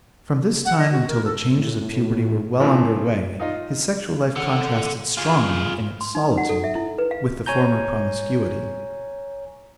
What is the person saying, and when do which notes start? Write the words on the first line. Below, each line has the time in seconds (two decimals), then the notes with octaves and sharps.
From this time until the changes of puberty were well under way his sexual life contrasted strongly, in its solitude, with the former promiscuity.
0.65 F#5
0.78 D#5
0.92 F#4
1.08 A#4
1.24 A4
1.57 A2
1.81 A2
2.60 F#2 A#2 E3 F3
3.40 D#4 F4 D#5
4.36 A4 F#5
5.17 F4 G#4
6.01 C6
6.15 D#4
6.37 F#5
6.49 A4
6.64 E5
6.75 E4
6.98 B4
7.11 F5
7.46 C#5 G#5 A#5 G6